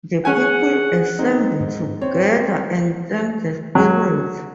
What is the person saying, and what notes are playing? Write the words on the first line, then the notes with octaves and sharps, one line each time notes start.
The people assemble together and thank the spirit.
C#4 G#4 F#5 G#5
C4 D#4
G#2
C4 C#5
F#3